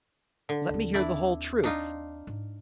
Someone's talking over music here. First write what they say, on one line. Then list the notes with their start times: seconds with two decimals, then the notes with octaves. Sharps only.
"Let me hear the whole truth."
0.49 D3
0.69 D#2 C4
0.94 D4 E4 D5
1.64 D4 D#4 F4
2.27 G#2